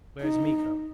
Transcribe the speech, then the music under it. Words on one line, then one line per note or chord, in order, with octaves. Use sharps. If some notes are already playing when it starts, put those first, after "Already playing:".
"Where is Miko?"
D#4